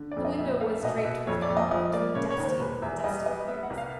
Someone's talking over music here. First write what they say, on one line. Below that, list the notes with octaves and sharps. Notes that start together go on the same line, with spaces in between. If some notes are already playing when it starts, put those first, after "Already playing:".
The window was draped with cobwebs and dusty with the dust of years.
Already playing: D3
D5
F2
D#5
A#1 E5
A3 F5
E5
B2 D#5
E5
B2
F2 C#5
D5
F2
D#5
F3 D#5
A#3 D5
C#3 C#5
C#5
D#2
C5
E1 B4
E2 E5
E5
G3 D#5
B3 D#5
B3 E5
F#5
C2
F5